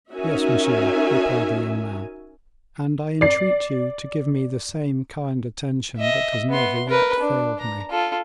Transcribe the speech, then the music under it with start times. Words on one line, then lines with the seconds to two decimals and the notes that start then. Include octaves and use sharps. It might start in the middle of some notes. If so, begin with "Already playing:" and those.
"Yes, monsieur," replied the young man; "and I entreat you to give me the same kind attention that has never yet failed me."
0.12 C#4 D#4 F#4 A#4 E5 G#5
3.21 D5 C7
5.98 D#5 E5
6.50 B3 C6
6.89 A#4 B4
7.20 D4
7.59 A#5
7.90 F4 A4